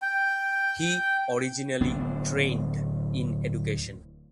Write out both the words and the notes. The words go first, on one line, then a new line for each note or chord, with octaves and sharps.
He originally trained in education.
G5
D1 B3 D4